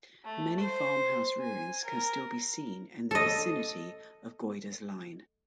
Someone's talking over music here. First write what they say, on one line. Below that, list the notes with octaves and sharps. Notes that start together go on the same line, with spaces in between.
Many farmhouse ruins can still be seen in the vicinity of Goyder's line.
A3
C5
G#5
A#4
A4 D#5